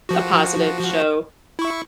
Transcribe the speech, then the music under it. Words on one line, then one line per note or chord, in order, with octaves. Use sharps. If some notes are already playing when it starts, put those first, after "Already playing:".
a positive show.
F3 F#4
E4 C#6